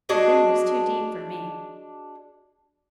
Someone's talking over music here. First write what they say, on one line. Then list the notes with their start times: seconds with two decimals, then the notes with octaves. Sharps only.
The thing was too deep for me.
0.09 D4 F#4 G#4 D#5